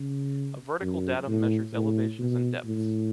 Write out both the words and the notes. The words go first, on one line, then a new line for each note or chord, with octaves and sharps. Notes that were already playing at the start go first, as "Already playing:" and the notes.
A vertical datum measures elevations and depths.
Already playing: C#3
F#2
A2
A2
B2
A2